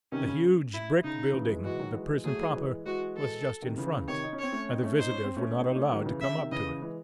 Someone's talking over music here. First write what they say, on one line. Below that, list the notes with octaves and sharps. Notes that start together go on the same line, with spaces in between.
The huge brick building, the prison proper, was just in front, and the visitors were not allowed to come up to it.
C3 D#3 C#4
C#3
E4
C#3 D#4
C#3 E3
E3 G#3
E3 G#3 F#4
D#3 F#3
E3 G#3
F#3 A3 G#4
F#3
E3 G#3
F#3
E3 G#3
E3 G#3 F#4
A4
C3 D#3
C#3 E3
C3 D#3 C#5
D#4
C#4
C4 C#5
A3 C#4
C4 D#4
A3 C#4
D#4 C5
C#4
C4
A3 C#4
C4 D#4
D#4
A3 C#4
D#3 F#3
C#3 E3
C#3 E5
C3 D#3
C#3 E3 D#5
E3 G#3